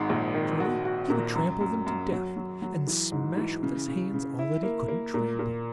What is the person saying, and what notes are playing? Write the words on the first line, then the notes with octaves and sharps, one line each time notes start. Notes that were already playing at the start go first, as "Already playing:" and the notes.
Naturally he would trample them to death, and smash with his hands all that he couldn't trample.
Already playing: G#1 G#2
A#1
D#3
F#4
F#4
A#2
F#2
F#2
F#2
F#3
F#3
F#3
E3
G#2
E3
C#3
C#3
C#3
E4
A#3
A#3
A#2
A#2